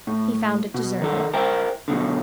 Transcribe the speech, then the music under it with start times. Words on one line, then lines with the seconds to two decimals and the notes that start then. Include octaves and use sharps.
He found it deserted.
0.07 A2
0.74 B2
1.02 D#3 A4
1.34 A#4 C5 E5 G5
1.88 F#2 B2 D3